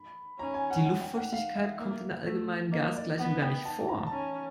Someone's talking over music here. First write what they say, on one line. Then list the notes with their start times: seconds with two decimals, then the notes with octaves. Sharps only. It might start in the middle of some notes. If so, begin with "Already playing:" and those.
Die Luftfeuchtigkeit kommt in der allgemeinen Gasgleichung gar nicht vor.
Already playing: B5
0.39 C#4 A#5
0.54 G#5
0.70 F#5
0.85 F#5
1.01 G5
1.17 F#5
1.32 F5
1.55 E5
1.78 A#3 E5
2.26 A3
2.72 A#3 D#5
2.96 D5
3.19 B3 F#5
3.42 G5
3.65 A5
3.88 A#5
4.06 A5
4.12 C#4 A#5